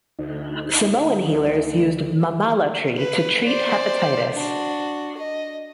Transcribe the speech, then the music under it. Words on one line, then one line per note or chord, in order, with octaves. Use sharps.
Samoan healers use the mamala tree to treat hepatitis.
D2 D#4
B4
C5 D5
D4 F#4
D#5